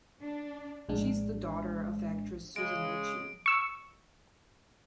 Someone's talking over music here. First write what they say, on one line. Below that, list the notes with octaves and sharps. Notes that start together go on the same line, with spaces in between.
She is the daughter of actress Susan Lucci.
D4
A#1 A2 G#3 D4
C#3 G#3 D7
C#6 E6